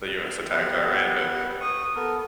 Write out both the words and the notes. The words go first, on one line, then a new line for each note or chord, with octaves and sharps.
the US attacked Iran, but
B3 G4 F#5
C#6 D#6
B3 A4 A#4